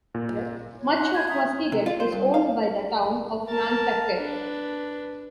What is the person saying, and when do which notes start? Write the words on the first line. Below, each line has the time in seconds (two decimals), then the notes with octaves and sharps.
Much of Muskeget is owned by the town of Nantucket.
0.15 A#2
0.80 C#5
0.96 D#4 F#5 C6 F#6
1.14 G#5 A5 G6 G#6
1.28 E5 A#5 D#6 G#6
1.72 C3
1.86 F4
2.00 C5
2.12 G2
2.34 F5
3.48 A#4 A5
4.16 D4 B4